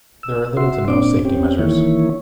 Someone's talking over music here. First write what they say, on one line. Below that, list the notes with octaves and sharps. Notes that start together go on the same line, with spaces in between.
There are little to no safety measures.
E6
F#4 E5 C6
A#2 C4 D4 D6
C4 C#4 G4
D#3 E3 A#3 E4 C#5